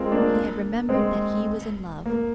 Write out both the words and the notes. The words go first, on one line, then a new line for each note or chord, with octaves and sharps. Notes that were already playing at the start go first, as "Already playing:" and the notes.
He had remembered that he was in love.
Already playing: G#3 C4 F4 G4 G#4 A#4
A#3 D4
G#3 C4
A#3